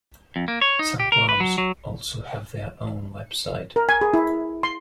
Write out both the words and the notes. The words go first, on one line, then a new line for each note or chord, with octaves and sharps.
Some clubs also have their own website.
F2
A#3
C#5
D#4
G4
A#4
B4
F#3
F#3
A#4
G#5
G#4
E4
C6